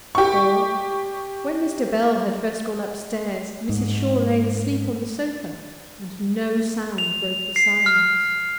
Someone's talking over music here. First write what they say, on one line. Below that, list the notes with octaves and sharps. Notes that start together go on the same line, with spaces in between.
For, when Mr. Bell had first gone up-stairs, Mrs. Shaw lay asleep on the sofa; and no sound broke the silence.
G4 C#6
G#2
F7
C7
F6